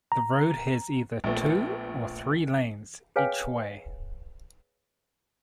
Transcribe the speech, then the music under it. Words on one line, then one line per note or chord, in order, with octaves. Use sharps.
The road has either two or three lanes each way.
A#5
A#1 A#2 A3 B3
G#4 B4 C#5 F5 G5 G#5